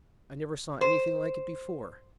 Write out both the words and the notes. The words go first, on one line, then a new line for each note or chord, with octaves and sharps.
I never saw anything like it before.
C5